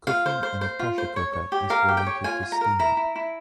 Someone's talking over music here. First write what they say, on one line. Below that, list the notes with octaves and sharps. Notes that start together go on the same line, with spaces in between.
Cooking in a pressure cooker is related to steam.
F4 F5
C5
C5
C5
F4
C5
C#5
C#5
G4
A#4 F5
G4
G5
C#5
F4 G#5
F4
A#5
A#4
E4 A#5
E4
E4